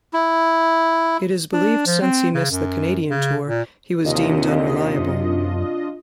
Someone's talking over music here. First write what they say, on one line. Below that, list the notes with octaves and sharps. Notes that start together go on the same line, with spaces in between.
It is believed since he missed the Canadian tour, he was deemed unreliable.
E4
D4
F3
C4
C#3
F#2
C#3
A#2
D#2 C3 D4 F4 D#5
F#2